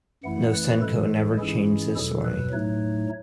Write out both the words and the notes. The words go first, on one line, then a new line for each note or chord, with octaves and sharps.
Nosenko never changed his story.
F#2 E3 A3 E4 F#5
B4
A2 E3 G#3 A4
G#2 E3 G#3 C#4 E4 G#4
E2 B2 F#3 A4
B4
A2 F#3 A3 D#4 C#5